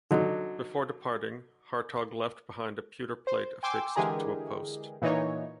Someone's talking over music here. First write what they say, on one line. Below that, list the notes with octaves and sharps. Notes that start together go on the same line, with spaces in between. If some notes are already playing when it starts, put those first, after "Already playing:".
Before departing, Hartog left behind a pewter plate affixed to a post.
D3 F#3 D#4
C5
G5 G#5 C6 D6 E6
D3 E3 G#3 G4 G#4 A#4
A#2 E3 D#4 C#5